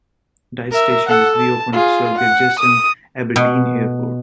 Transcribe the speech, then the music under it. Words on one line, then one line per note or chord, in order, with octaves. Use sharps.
Dyce station was reopened to serve the adjacent Aberdeen Airport.
A#4 E5
A4 F#5
A5
F4 G#4
F#5
D#6
B2